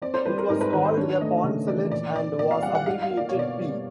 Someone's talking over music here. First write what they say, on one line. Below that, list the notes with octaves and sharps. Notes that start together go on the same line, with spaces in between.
It was called the poncelet and was abbreviated "p".
C4 D5
C5
G3 B4
A#4
G#2 A#4
B4
D#3 B4
C5
D4 C#5
A3 D#5
D#5
C#3
E3 D5
A#2 D5
C4 D5
A#2 D5
F5
G3 F#5
F#5
D#4 F5
F5
A#3
D5
B2 C#5
D5
G3